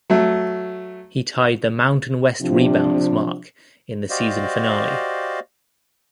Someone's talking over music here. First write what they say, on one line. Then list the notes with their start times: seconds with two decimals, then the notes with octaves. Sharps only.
He tied the Mountain West rebounds mark in the season finale.
0.10 F#3 A3
2.42 C3 F3 D4
4.10 F#4 G4 C5 D5 D#5 F5